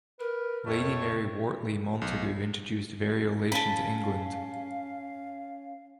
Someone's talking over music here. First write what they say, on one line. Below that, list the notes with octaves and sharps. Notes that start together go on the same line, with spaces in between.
Lady Mary Wortley Montagu introduced variolation to England.
A#4 B4
F2 A3 C#5
B1
C#4 F5 A5 B5